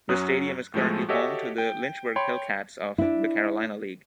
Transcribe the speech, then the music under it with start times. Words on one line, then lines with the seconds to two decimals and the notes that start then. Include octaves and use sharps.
The stadium is currently home to the Lynchburg Hillcats of the Carolina League.
0.09 F#2 F#3 C#4 D#6 F#6
0.74 A2 F3 G#3 A3
1.09 F#4 G4 A4 C#5 D#5 E5
1.58 G5
2.16 C#5 G5 B5 C6
2.98 D4 E4